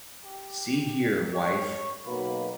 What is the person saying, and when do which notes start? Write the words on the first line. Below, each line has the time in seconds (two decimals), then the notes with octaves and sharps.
See here, wife!
0.24 G4
1.34 C#5
2.06 B1 B2 A#3 B5